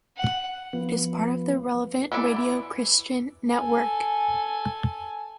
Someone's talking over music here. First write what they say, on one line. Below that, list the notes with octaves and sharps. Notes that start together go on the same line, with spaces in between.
It is part of the Relevant Radio Christian network.
F#5
F3 B3
E3 E4 A4 D5
A4 G#5